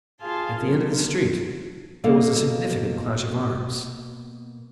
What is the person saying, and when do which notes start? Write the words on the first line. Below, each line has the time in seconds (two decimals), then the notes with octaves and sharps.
At the end of the street there was a significant clash of arms.
0.20 F4 G#4 F5 A5 C6
0.62 F#3 B3 A#4
2.04 B2 A#3 A4 C#5 F5